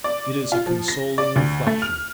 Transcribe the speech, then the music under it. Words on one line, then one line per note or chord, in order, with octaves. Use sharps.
It is a consoling reflection.
D5
F4
F3
A#6
D5
D2
A3
F6